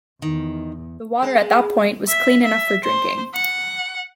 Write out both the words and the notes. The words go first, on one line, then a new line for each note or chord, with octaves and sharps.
The water at that point was clean enough for drinking.
E2 D#3
G#3
E5
E5
C5
F#5